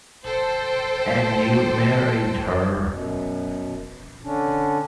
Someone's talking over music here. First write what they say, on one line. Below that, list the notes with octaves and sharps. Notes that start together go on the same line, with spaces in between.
And you married her.
A4 C5 G5
F#2 B2
D3 C#4 D4